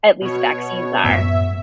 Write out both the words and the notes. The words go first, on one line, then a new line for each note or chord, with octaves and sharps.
at least vaccines are.
B2 C#5
F#2 A2 B3 E5